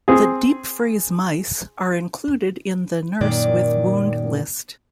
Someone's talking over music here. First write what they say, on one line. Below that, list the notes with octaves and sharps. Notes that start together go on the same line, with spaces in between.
The Deep Freeze Mice are included in the Nurse with Wound list.
C4 G#4
F#2 A#2 D#3 D5